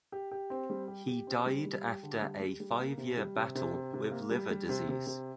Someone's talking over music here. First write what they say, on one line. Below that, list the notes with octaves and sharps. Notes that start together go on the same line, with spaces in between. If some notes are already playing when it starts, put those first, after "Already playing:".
He died after a five-year battle with liver disease.
G4
G4
C4
G3
G4
G4
C4
G3
G3
G4
D3
G3
G3
G3
A#3
C3
G3
C3
C3
C3
C3
A#3
G3
G3
C3
C3
C3